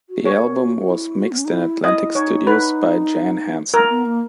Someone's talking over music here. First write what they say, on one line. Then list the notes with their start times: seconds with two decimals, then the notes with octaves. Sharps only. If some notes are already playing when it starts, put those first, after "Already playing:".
The album was mixed in Atlantic Studios by Jan Hansson.
0.10 F#4
0.25 G#4 C#5
0.35 G#4
0.41 A#4
0.57 F#4
0.77 F#4
0.89 E4
1.20 F#4
1.32 B3
1.38 C#4
1.45 D#4
1.52 E4
1.84 E4 D#5
2.15 D#4 C#5
2.47 B4
3.74 A#4
3.90 B3
4.06 A#3